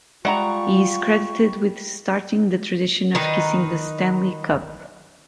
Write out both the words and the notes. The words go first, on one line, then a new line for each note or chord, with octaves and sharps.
He is credited with starting the tradition of kissing the Stanley Cup.
G3 G#3 F4 F#5 A#5 C#6
D#3 D#4 B4